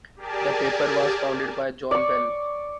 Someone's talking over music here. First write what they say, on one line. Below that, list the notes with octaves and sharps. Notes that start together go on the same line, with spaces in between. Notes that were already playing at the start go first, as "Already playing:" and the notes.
The paper was founded by John Bell.
G4 G#4 A#4 D5 G#5 A5
D5 C#6